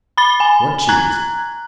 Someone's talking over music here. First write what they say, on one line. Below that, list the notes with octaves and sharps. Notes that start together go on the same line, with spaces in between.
"What cheese?"
B5 A6 G7
G#5
A#5 F#6 G#6